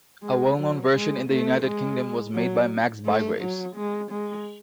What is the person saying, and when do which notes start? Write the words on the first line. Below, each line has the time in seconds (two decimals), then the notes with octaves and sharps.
A well-known version in the United Kingdom was made by Max Bygraves.
0.23 G#3
0.58 F#3
0.93 G#3
1.28 A3
1.63 G#3
2.34 F#3
3.05 A3
3.40 F#3
3.76 G#3
4.11 G#3